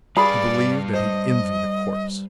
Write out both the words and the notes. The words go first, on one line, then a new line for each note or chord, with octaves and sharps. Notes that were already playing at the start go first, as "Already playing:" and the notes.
He believed that he envied a corpse.
G3 G#4 B4 D5 F5 B5
C5 D#5